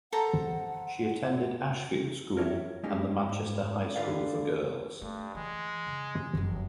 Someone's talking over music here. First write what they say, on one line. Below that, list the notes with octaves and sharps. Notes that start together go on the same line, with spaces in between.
She attended Ashfield School and the Manchester High School for Girls.
A4 C5 F#5 A#5
A#4 C#5 D5 E5
G#3 A#3 C#4 D#4 G4
G#2
D3 F4 B4 D5 F5
G2 A3
E3 G#3
C#3
F#1 F2